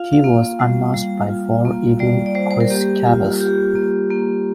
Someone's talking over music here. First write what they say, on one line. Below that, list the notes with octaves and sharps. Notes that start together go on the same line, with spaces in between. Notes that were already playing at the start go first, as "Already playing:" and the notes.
He was unmasked by "War Eagle" Chris Chavis.
Already playing: F4 F5
F5
A#3
G3
G3
F4
A#3
G3 D5
D5
G3 C5
C5
A#4
A#3 G4
F4
F4 G4
A#3
A#3